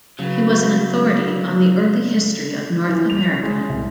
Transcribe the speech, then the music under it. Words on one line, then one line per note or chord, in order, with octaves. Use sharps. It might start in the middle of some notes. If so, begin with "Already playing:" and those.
He was an authority on the early history of North America.
C#3 F#3 B4
E3
F7
C#4
G#3
C2